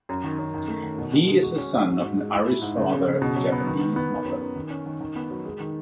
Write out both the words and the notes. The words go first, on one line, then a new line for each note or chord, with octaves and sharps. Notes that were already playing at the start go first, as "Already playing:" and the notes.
He is the son of an Irish father and a Japanese mother.
F#2
D#3
F#2
D#3
A3
D#3
B2
B2
G#3
F#4
C#4
F#4
G#2
G#2
G#3
E4
E4
G#2
C#3
C#3
C#3
B2
F#3
B3
D#3
D#3
B3
D#3
F#2
F#2
D#3
C#4
D#3
D#3
B3
F#3
G#3
D#3